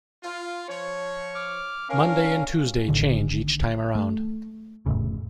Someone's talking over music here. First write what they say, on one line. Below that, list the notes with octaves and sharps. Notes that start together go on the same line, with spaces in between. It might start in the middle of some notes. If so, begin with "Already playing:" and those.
Monday and Tuesday change each time around.
F4
F3 C#5
D6 F6
C#4 D4 A#4 F5
A1 A2 D3 D#3
A3
F1 B1 A2 C#3